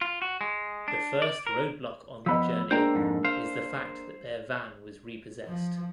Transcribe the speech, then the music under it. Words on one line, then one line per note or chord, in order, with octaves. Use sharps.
The first roadblock on their journey is the fact that their van was repossessed.
F4
F#4
G#3
D4
D5
A#4
F3 B3 D#5 B5 E6
G#3 A#3 D4 C5 G5 A#5
F2 G#2
C5 F5
F3